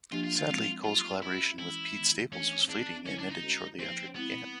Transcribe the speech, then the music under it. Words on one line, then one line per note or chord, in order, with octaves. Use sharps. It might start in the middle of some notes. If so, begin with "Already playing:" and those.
Sadly, Cole's collaboration with Pete Staples was fleeting and ended shortly after it began.
F3 A#3 D4 F4 G4
F4
F4
F3 G#3 C4
F#3 A#3 D#4 F4 G4
C#4 E4 F#4 B4 D5
E3 G#3 C#4 E4
D#3 G#3 B3
E3 A3 C#4 D4 G4 A#4
C4 D4 D#4 G#4 B4
D3 G3 C4 C#4 E4
D4
D#4
G#3 C#4 F#4 A4 C5
F3 A#3 C4 D#4 G4 B4
G#3 B3 C4 E4